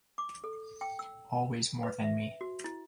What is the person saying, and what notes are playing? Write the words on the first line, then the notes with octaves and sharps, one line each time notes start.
Always more than me.
D6
A4
G5
E6
B4
E5
F#4
E4